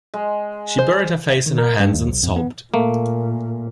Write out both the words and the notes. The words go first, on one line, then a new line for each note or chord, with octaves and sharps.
She buried her face in her hands and sobbed.
G#3
C5
D#3
A#4
G2
D#2
B1
F2
B3
A#2 A3 A#3